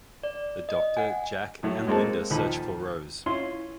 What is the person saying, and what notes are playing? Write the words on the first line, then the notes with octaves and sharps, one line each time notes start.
The Doctor, Jack, and Lynda search for Rose.
D5
D#5
F#5 G#5
A2 F#3 A3
G#3 A#3 C4 A4 A5
D#2 A#2 F3 D#4 A4 B5
C#4 E4 F4 C6